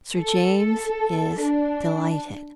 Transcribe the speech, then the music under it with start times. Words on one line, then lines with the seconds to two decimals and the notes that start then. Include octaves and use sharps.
Sir James is delighted.
0.16 A4
1.40 D4